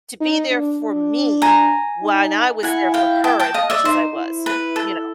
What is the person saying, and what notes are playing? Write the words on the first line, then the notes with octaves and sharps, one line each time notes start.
to be there for me when I was there for her as much as I was, you know
D#4
D4
D4
G#5 A#5
D#4
E4 F#5 G#5
F5 G5
G5 A5
G5 A5
D#5 F5
D5 E5
D#4 C5
E4
B4
A4